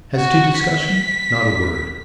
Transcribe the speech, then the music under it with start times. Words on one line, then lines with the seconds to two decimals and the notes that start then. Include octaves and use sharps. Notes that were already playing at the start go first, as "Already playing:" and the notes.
As to discussion--not a word.
0.16 F#4
0.58 B6